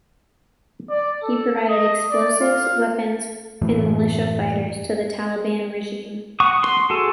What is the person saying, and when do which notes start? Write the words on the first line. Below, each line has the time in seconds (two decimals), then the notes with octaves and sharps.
He provided explosives, weapons, and militia fighters to the Taliban regime.
0.89 D5
1.23 A4
1.69 D#5
2.10 D5
2.40 F4
3.61 F#2 A2 E3 A3
6.40 F#5 C#6 D#6
6.63 C6
6.90 F#4 G#4 A4